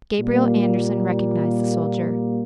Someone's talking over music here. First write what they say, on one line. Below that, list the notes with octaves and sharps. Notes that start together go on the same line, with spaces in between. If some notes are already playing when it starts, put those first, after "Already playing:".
Gabriel Andersen recognised the soldier.
A#2 G3 A#3